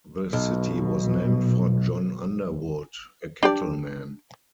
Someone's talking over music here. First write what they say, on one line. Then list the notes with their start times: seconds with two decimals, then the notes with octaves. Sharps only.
The city was named for John Underwood, a cattleman.
0.33 B1 B2
3.43 D4 G4 D5